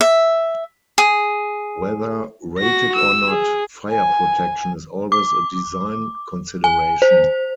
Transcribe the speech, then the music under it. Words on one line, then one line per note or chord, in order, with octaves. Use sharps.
Whether rated or not, fire protection is always a design consideration.
E5
G#4
F#4 A#6
E6
G#4
G#5
D6
G#5
C5